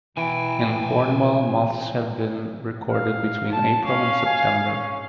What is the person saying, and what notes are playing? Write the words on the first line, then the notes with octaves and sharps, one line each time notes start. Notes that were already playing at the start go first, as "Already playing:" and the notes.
In Cornwall moths have been recorded between April and September.
B2 E3 G5 G#5
F5
A5
C#4 F5
G#5
C#4